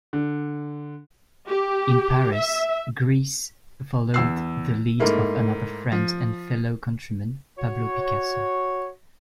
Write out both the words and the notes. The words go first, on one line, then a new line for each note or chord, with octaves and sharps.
In Paris, Gris followed the lead of another friend and fellow countryman, Pablo Picasso.
D3
G4
E5
E2 E6 C7
G#2 A3 A#3 E4
F3
F#4 C#5